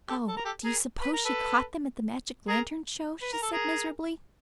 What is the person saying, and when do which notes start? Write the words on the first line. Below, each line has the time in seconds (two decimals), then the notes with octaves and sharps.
"Oh, do you suppose she caught them at the magic lantern show?" she said miserably.
0.09 G4 A4
0.28 A4
0.37 A#4
0.45 G4 A4
0.64 G#4 A#4
1.01 B4
1.13 A#4
1.25 A4 B4
2.48 G#4 A#4
3.22 B4
3.33 A#4
3.43 A4
3.53 G#4 A#4